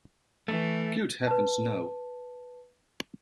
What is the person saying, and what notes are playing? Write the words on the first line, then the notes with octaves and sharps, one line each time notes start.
Good heavens, no.
E3 A3
B4 A5